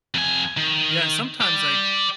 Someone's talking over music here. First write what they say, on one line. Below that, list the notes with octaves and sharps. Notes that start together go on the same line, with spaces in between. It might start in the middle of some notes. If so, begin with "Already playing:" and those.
Yeah, and sometimes, like,
F2 G#5
D#3
G4 D5